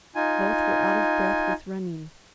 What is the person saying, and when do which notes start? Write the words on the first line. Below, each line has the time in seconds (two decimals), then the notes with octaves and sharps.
Both were out of breath with running.
0.15 D#4 F4 G#5